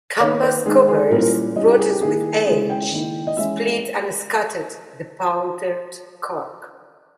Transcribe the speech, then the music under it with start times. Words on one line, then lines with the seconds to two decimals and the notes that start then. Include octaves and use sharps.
Canvas covers, rotted with age, split and scattered the powdered cork.
0.20 D#3 A#3 D#4 C#5
0.43 B4
0.66 D#3 G#3 D#4 G#4
0.88 G#4
1.11 A#2 G3 A#3 C#4 E4 A#4
1.22 A#4
1.56 G3 C#4 E4 D#5
1.67 G4
1.78 G#4
1.90 G4
2.01 D#3 A#3 E4 G#4
2.46 C#3 G#3 C#4 E4 G#4
2.70 G5
2.92 D#3 A#3 E4
3.27 D#5
3.37 E3 G#3 C#4 E4 E5